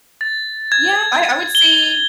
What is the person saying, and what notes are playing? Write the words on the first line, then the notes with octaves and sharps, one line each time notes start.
Yeah, I I would say
A6
G#6
G7